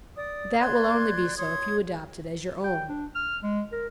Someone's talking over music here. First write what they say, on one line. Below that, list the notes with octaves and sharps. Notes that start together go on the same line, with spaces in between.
But that will only be so if you adopt it as your own.
D5 D#6
D5 C6 F#6 G#6
C#5 C6 D#6 G#6
G5
D4
F6
G#3
A#4